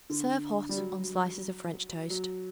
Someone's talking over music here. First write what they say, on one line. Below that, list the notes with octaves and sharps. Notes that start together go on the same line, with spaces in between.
Serve hot on slices of French toast.
D3
G3
F#3
F#3